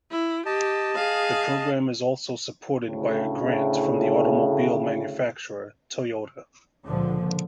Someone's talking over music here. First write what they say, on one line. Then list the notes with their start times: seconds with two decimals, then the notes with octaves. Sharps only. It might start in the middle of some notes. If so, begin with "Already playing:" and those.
The program is also supported by a grant from the automobile manufacturer, Toyota.
0.11 E4
0.46 G4 D#5 A5
0.95 G#4 F5
2.87 D2 A2 C#3
6.87 C#2 A#2 D3 F3